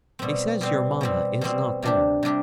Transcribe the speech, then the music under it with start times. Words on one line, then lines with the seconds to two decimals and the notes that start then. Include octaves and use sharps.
He says your mamma is not there.'
0.19 B2 G3 C4
0.61 B2 G3 C4
1.01 B2 G3 C4
1.41 B2 G3 C4
1.82 C3 G3 D4 G4
2.23 C3 G3 D4 G4